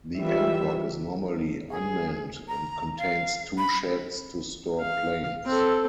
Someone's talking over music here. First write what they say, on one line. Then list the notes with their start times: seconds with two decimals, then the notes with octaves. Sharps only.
The Airport is normally un-manned and contains two sheds to store planes.
0.19 E3 G3 F4 E5
1.70 G#4
2.48 A#5
2.98 F5
3.58 B5
4.80 F5
5.45 C4 A4